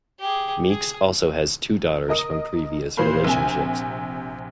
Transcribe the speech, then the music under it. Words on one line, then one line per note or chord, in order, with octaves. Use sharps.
Meeks also has two daughters from previous relationships.
G4 G#4
G#4
A#4 D#5 D#6
A#2 E3 B4 C5 F5 B5
A#1 C3 G#5